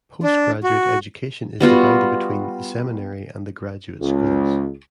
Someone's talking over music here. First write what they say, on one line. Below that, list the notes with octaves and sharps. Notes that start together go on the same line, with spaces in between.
Postgraduate education is divided between the seminary and the graduate schools.
D4
F#4
G3 B3 F4 F#4
C#2